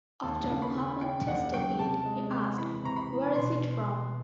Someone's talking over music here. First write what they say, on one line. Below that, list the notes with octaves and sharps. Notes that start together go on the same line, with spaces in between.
After Muhammad tasted it, he asked, Where is it from?
D#2 A5
C#3
B5
C#3
C#3 G5
D#2 F#5
F#3 G5
C3 A5
G#3
C3
E3 B5
C3 A#5
B5
E3
B2 C6